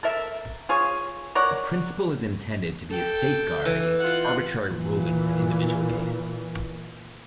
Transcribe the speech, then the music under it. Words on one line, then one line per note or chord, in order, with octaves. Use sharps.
The principle is intended to be a safeguard against arbitrary rulings in individual cases.
A4 A#4 E5
F4 G#4 C#5
A#4 C#5 D5 F#5
A4 G5
E3
F4 F#5
A#2 E3